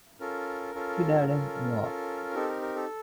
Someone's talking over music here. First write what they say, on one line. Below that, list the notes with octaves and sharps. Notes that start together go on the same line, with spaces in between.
He died in New York.
C#4 F4 A4 A#4
C#4 F4 A4
C#4 F4 A4
C#4 F4 A4
C4 D#4 G4 A4
A#4
A#4
A4